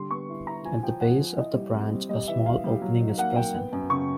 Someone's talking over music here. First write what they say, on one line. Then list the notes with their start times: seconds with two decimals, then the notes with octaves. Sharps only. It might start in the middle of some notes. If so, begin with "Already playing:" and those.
At the base of the branch a small opening is present.
Already playing: D3 G3 C6
0.11 B3 C#6
0.30 E4
0.47 E4 A#5
0.65 F3 G#5
0.83 F3 G5
1.01 F3 F#5
1.19 F3
1.38 E4 D#5
1.55 G3
1.73 C4
1.92 G3
2.09 G3 D#5
2.28 E3 E5
2.46 E3 F5
2.64 G3
2.82 F#3
3.00 D#4
3.18 A#3 F#5
3.36 A#3 G5
3.55 B3
3.73 F#2
3.90 C#3 C#6